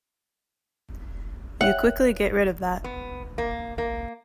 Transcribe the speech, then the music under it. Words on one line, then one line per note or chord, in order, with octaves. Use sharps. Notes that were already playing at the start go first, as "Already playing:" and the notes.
You quickly get rid of that.
C#5 E5 F#5 G5
B3
A#3
A#3